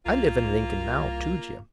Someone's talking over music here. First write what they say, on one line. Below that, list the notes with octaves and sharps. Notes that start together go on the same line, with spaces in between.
I live in Lincoln now, too, Jim.
C2 A#3 F4